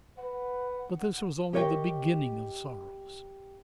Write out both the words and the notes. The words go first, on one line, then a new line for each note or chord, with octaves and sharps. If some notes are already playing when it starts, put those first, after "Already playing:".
But this was only the beginning of sorrows.
B4 F#5
G4 A#4 C#5 D#5 F#5 G5